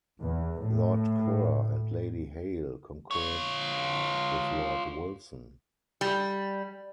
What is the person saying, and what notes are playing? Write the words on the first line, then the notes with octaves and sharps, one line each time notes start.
Lord Kerr and Lady Hale concurred with Lord Wilson.
E2
A2
F4 C#5
G3